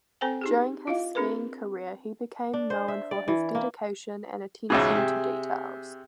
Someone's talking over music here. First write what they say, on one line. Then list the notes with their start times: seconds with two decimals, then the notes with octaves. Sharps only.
During his skiing career he became known for his dedication and attention to details.
0.21 C4 A4 C5 G5 G#5
0.41 D#4 G4 G#4
0.87 E4 F4 D#5 F5
1.15 C4 D4 G#4 A#4 B4
2.53 D4
2.70 C5
2.88 E5
3.11 D5
3.28 E3
3.55 A#3
4.70 C#2 G#2 B2 G#4 E5
4.95 C3